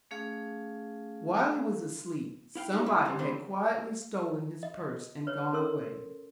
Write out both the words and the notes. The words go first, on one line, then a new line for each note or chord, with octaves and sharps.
While he was asleep, somebody had quietly stolen his purse and gone away.
A3 C#4 G#4 F5
E4 F5 G5
D#4 G4 D5
E4
D#2 G#2 C3 G3
A2 E3 C4 D4 B5
D#5
B4 C#5
C#4 A4 A#4 C6 E6